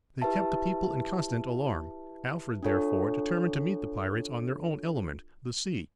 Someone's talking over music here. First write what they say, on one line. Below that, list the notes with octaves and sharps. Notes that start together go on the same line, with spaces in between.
They kept the people in constant alarm. Alfred therefore determined to meet the pirates on their own element, the sea.
E4 G4 B4 E5 A5
D4 F4 A4 C#5